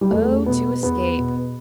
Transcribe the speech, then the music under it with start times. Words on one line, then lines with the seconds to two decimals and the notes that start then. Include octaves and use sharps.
Oh, to escape!
0.01 G3
0.11 E2 A3
0.46 B2 B3
0.83 E2 B3
1.18 B2